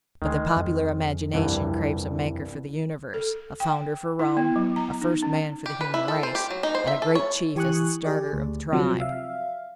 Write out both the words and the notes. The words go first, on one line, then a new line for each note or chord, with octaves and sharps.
But the popular imagination craves a Maker for the Universe, a founder for Rome, a first man for the human race, and a great chief as the starter of the tribe.
D2 D#3 G#3
F2
C2 G2 E3
A4
G5
E4
B3
F#3
A#5
D#4
C#4
G4
B4
E4
A4
C5
G4
F#3
D#4
C5
E5
A4
C#5
E3 G4 G#5 C#6 D#6 F#6
G4 G#4 D5
D2
C3 F3 F#3
E5 F5